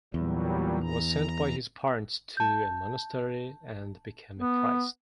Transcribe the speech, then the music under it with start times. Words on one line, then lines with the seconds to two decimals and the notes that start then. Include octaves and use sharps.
He was sent by his parents to a monastery and became a priest.
0.14 E2 A#2 F#3 G3
0.82 A#5
2.37 A5 G6
4.39 B3